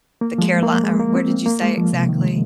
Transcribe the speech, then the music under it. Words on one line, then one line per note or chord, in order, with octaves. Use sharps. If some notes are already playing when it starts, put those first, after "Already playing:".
the Caroli Um, where did you say exactly?
A#3
F3
G#3
A#3
G#3
A#3
C4
A#3
G#3
F3
C3
D#3
G#3